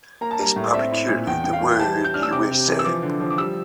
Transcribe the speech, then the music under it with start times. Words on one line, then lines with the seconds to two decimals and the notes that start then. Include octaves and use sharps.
Is 'propinquity' the word you wish, sir?
0.21 A#3 A#5
0.31 A5
0.39 G3 A#5
0.56 A2
0.67 D5
0.74 C4 E5
0.92 E4
1.09 A#2
1.27 E2 G5
1.44 E2 G5
1.53 F5
1.62 E3
1.79 G3 A5
1.98 G3
2.04 G6
2.14 D4 F6
2.23 E6
2.32 C3 D6
2.51 C3
2.68 E3
2.79 E6
2.85 F3 D6
3.03 D3
3.20 F3
3.30 D6
3.38 G3 E6